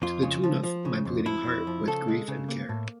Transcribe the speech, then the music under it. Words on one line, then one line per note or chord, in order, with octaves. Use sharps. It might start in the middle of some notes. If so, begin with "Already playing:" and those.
To the tune of, My bleeding heart with griefe and care.
F2 F4
C#3
F3
F3
C#3
F2
F2 E4
F2
F3
C#3 A4
G#3
C#3
A#3
A2